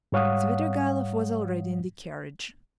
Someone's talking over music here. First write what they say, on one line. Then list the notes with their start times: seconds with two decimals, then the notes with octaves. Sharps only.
Svidrigailov was already in the carriage.
0.12 G#2 G3 C#5 F5 F#5 D#6